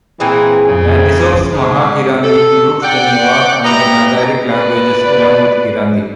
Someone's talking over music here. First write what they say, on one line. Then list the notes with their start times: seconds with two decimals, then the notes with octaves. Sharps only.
Matisoff's Mahakiranti includes the Newar and the Magaric languages along with Kiranti.
0.20 A#2 E3 C4 G#4
0.67 F2 C#3 F3
1.51 G#2
2.22 A4
2.82 D5 F#5 G5
3.64 B3 E4 G4 D#5 A#5
4.48 B4 D5